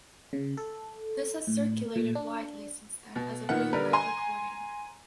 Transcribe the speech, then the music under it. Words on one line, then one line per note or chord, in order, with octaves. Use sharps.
This has circulated widely since then as a bootleg recording.
C#3
A4
A2
A#2
D4
B2
A#2 D#3 B3 F#5
D3 G3 A#4 B4
G#5 A#5 C6